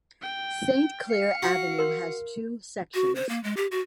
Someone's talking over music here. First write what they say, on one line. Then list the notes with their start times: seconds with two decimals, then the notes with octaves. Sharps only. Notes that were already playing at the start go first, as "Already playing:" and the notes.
Saint Clair Avenue has two sections.
0.22 G5
1.08 F5 C#7
1.42 F#4
1.79 A#4 C6
2.94 F#4
3.15 C5
3.29 A#3
3.44 G#3
3.57 G4
3.71 F#4